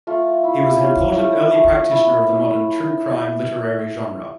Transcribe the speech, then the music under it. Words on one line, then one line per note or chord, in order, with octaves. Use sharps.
He was an important early practitioner of the modern "true crime" literary genre.
A3 F4
E4
C#4
A3
A3
E4